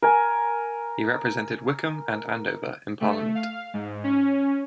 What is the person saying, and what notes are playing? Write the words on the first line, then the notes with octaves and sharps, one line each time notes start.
He represented Wycombe and Andover in Parliament.
A#4 G#5
A3
F5
G#2
C#4